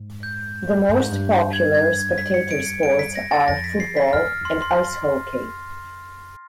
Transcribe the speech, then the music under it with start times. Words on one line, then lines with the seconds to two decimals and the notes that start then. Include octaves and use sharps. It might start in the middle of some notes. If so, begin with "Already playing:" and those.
The most popular spectator sports are football and ice hockey.
Already playing: G#2
0.23 G6
0.88 G2
0.99 G#2
1.11 G2
1.53 G#6
1.75 G#6
2.18 B6
2.34 C#7
2.51 D7
2.66 C#7
2.83 D7
2.99 B6
3.16 A#6
3.31 A6
3.48 F2 A#6
3.64 B6
3.80 C7
3.97 B6
4.13 F2 F6
4.22 E2
4.41 E2 C6
4.62 C6